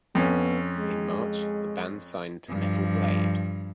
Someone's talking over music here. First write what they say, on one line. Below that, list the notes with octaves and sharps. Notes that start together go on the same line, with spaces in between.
In March, the band signed to Metal Blade.
F2 B3 C#4
G#3
G2 F3